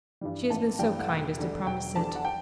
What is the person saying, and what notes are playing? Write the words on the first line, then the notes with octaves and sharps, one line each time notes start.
She has been so kind as to promise it.
G2 E3 G3
A1 A5
G2 E3 G3 G5
F#5
E1 G5
E2 D3 G3
E1 G5
E2 D3 G3 A5
F#5
G5